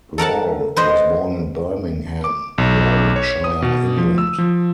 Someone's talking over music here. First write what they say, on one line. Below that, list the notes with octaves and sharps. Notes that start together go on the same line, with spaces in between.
Rawle was born in Birmingham, Warwickshire, England.
A4 A#4 F#5 A5
B4 C5 D#5
D6
B1
C#5
D#6
B2
F3
E6
F3